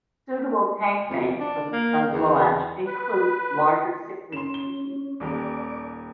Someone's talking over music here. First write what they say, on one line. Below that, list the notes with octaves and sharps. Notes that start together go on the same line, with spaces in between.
Suitable tank mates for the skunk loach include larger cichlid species.
F2
D4
A#3
E2
B4
C#4 C6 E7
G7
D#1 D#2 G4 D5 D6